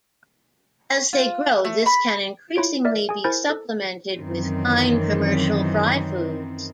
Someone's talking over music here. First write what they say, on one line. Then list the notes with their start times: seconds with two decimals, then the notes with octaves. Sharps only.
As they grow, this can increasingly be supplemented with fine commercial fry foods.
1.13 F4
1.65 A3
1.86 B5
2.56 E4 F4 C#5 D7
2.85 A#4 D5 E5
3.09 G#4 G#5
3.24 E4 A#4 C5 G#5 G6 A6
3.50 A4
4.16 F#2 D#3 E3 C4